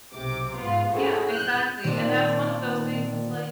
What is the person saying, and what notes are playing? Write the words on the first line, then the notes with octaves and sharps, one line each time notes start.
Yeah. Exactly. And that's one of those things, it's like,
B1 C3 D6
G#2 B3 F4
C#4 E4 F#4 G#4 A4 C5
F#6 G6
A#2 D#3 C4 D4